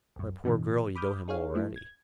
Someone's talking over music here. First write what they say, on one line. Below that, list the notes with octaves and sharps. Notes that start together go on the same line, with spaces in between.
"My poor girl, you know him already."
C2 F#2
G2 B2 D3 E3
B5 D6 D#6 F6 G6
D#4 G#4 C#5 F5
F3 A3 E4
G#6